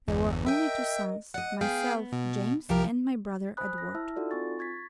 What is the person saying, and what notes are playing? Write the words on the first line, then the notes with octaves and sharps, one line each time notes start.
There were only two sons: myself, James, and my brother, Edward.
G1 E2
A#4 D#5 E5 G5
D5 D#5 F#5
B3 G#4 F5 G5
B2
C2 F3 G4 A#4
C5 G#5 B5 D#6 F#6
A#6
E4 E5 A5 E6 F6
D#4 F4 F#4 A4 D5
C4 F4 G#5 C#6 A6
C#6 G#6 A6 B6